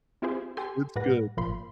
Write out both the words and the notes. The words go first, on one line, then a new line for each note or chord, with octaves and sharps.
it's good.
C4 E4 F4 G4 G#4 C5
G4 A4 G#5 C6
A2 G3 B4 F#5 A#6
G#1 A#2 F3 B5 C6